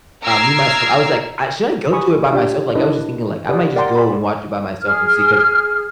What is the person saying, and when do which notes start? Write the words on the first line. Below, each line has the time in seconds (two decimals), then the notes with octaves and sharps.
um, me, myself I was, like, "I should I go to it by myself?" Like, I was just thinking, like, I might just go and watch it by myself and see, 'cause
0.23 A#5 D6 E6 F6 G#6 C7
1.91 G4 B4 G#5 B5 C#6 D#6
2.33 D4 F4 G4 D5 G5
2.75 D4 E4 A#4 B4 D#5
3.49 G4 B4 D5 F#5 D#6
3.76 A#4 D5 F#5 G5 A#5 C6
3.94 D5 B5 C6
4.82 G#4 F6